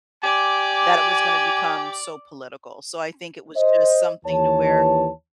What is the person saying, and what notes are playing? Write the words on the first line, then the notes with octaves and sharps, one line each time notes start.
that it was gonna become so political. So I think it was just something to where,
G4 D5 G#5
C5 D#5
D#2 E3 C#5 A5